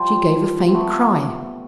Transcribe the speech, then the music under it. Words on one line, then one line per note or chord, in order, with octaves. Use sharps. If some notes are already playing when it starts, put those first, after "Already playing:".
She gave a faint cry.
Already playing: F3 G3
C4
A3 B3